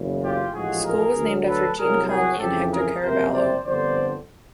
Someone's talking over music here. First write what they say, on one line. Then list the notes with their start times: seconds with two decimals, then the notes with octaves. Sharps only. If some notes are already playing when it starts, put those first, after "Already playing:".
The school was named after Jean Conley and Hector Caraballo.
Already playing: F#1 E2 C#3
0.23 F4 G4
0.53 A1 G#2 F3 F#4 G#4
0.84 G#4 A#4
1.16 D2 D3 F#3
1.46 A4 B4
1.77 C2 A#2 F#3 G#4 A#4
2.08 F#4 G#4
2.39 F2 C#3 E3 G4 A4
2.70 G#4 A#4
3.01 F#1 F2 C3 A#4 C5
3.32 C5 D5
3.63 G1 F2 D3 C5 D5